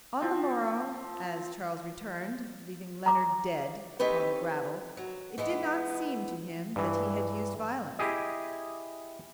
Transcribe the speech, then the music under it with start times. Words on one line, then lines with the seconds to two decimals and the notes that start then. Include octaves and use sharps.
On the morrow, as Charles returned, leaving Leonard dead upon the gravel, it did not seem to him that he had used violence.
0.21 F3 C4
3.06 A#5 D6
3.99 C4 D#4 G4 A4 B4 C#5
4.97 F#3
5.38 E3 G#3 B3
6.76 G2 E3
7.99 E4 G4 G#4 D#5